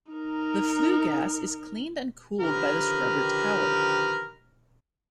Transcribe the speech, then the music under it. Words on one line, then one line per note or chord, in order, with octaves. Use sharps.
The flue gas is cleaned and cooled by the scrubber tower.
D#4 A#4
D3 D#3 F3 G4 A#4 B4